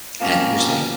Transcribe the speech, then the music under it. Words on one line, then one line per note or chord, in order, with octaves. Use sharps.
That's interesting.
F3 A#3 C4 C#4
B2 F3